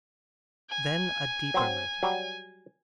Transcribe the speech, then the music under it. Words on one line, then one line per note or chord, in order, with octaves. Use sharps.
Then a deeper matter.
G#5
F#3 C4
F#3 G3